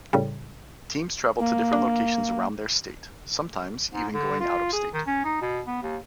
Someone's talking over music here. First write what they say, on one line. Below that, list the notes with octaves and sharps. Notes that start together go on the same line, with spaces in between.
Teams travel to different locations around their state, sometimes even going out of state.
A2 C#3 G3
A#3
D4
G#2
D3
F4
G#4
D#3
C#4
D#4
B2
B3
D#2